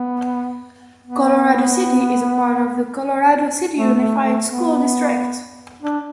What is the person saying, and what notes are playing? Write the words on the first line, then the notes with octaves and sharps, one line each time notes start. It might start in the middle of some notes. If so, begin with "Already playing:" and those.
Colorado City is a part of the Colorado City Unified School District.
Already playing: B3
B3
A3
A3
A3
B3
D4